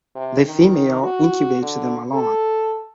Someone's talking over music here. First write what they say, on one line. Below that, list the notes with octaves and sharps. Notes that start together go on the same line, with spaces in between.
The female incubates them alone.
C3
D#3
F#4
D3
A4